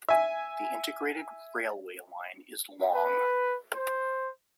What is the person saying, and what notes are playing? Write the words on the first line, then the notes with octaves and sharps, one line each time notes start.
The integrated railway line is long.
E5 G#5
B4
C5